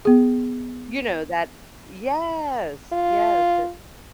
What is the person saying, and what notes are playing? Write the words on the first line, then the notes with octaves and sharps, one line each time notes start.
you know, that yes, yes, to
B3 G#4
F4